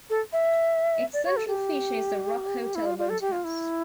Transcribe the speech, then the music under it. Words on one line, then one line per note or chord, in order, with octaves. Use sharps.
Its central feature is the Rock Hotel roadhouse.
A4
E5
D5
C#5
A4
G4
E4
F4
F4
A4
G4
F4
E4